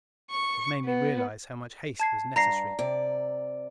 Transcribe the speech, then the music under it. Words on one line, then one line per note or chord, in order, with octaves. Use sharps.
It made me realize how much haste was necessary.
C#6
B3
A5 G#6 C7
G2 A#5 A#6 C7
C3 D5